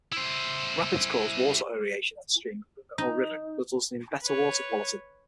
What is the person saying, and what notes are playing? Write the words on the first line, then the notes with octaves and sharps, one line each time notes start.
Rapids cause water aeration of the stream or river resulting in better water quality.
E4 C5
D#4
B4 C#5